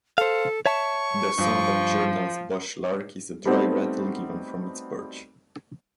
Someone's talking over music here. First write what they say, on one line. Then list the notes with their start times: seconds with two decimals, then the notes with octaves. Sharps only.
The song of Jerdon's bush lark is a dry rattle given from its perch.
0.18 A4 C5 F5
0.66 C#5 E5 A5 C#6
1.39 G2 F3
3.45 G3 A3 B3 C4 D#4 F#4